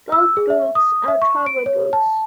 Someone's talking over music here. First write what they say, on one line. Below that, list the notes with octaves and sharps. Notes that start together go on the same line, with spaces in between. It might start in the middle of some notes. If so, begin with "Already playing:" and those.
Both books are travel books.
E6
G#4
E5
D#6
E5
C#6
D7
C#5
A5